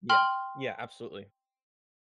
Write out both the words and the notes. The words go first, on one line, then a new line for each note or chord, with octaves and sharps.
Yeah, yeah, absolutely.
G5 C6 F6 F#7